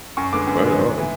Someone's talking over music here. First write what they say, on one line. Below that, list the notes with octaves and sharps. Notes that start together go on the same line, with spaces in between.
Right on.
F#2 C#6
D3 G#3 B3 D6
F#2
D3 G#3 B3
G#2
E3 A3